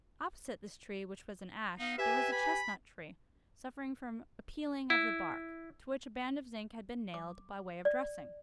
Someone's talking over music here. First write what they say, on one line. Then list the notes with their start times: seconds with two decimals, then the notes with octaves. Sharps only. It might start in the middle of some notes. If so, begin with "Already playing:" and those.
Opposite this tree, which was an ash, there was a chestnut-tree, suffering from a peeling of the bark, to which a band of zinc had been nailed by way of dressing.
1.79 B3 D#4 F5
1.98 G4 B4 E5 G#5
2.32 B5
4.90 E4
7.14 D6
7.85 D5